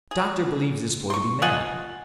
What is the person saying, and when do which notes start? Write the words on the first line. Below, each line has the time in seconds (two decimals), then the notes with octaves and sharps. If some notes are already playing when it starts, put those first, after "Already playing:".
A doctor believes this boy to be mad.
0.11 G#4
1.10 C6 C#6
1.42 F4 D#5 F#5 G#5